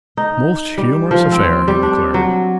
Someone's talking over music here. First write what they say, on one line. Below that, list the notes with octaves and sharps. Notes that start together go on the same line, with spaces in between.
"Most humorous affair!" he declared.
D#4
G3
F3
C4
G3
D4
F#3